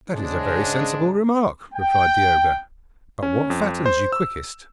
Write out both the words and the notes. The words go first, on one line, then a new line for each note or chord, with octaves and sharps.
'That is a very sensible remark,' replied the ogre; 'but what fattens you quickest?'
G#2 C#3 G#3 D4
G5
C#4
F2
C5
E6